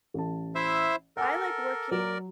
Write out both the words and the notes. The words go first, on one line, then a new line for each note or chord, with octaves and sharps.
I like working
A1 A5
E4 C5 E5
A4 A#4 F#5 G#5 D6
F#3 A#4 D5